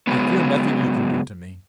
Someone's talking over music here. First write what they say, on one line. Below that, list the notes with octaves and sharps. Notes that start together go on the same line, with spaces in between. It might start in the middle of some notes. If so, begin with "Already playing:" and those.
I fear nothing you can do to me.
C#3 F#3 G#3 B3